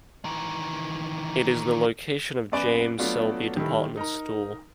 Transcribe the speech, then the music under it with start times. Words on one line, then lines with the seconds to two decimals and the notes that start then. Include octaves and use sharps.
It is the location of James Selby department store.
0.25 D#3 E3
2.52 F#2 B3 B4 D5 G#5 D7
2.98 F#3 A3 B3 D4 F4 F#4
3.57 D#3 G3 E4 A4
3.97 D#4 A#4 A#5